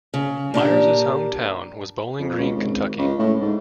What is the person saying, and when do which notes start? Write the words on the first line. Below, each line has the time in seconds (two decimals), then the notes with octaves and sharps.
Myers' hometown was Bowling Green, Kentucky.
0.14 C#3
0.54 A#2 D4 G4 A#4
2.19 F2
2.38 C#2
2.56 G#1
2.98 C#2
3.19 A2
3.40 G#2